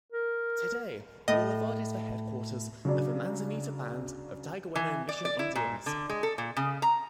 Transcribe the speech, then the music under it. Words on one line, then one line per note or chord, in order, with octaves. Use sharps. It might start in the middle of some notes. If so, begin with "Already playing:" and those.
Today Boulevard is the headquarters of the Manzanita Band of Diegueno Mission Indians.
A#4
A2 D#5
C#3 F#3 D4
E3
D5
D5
E4
A#2
D3
G#3
A4
A#2
C#3
A#5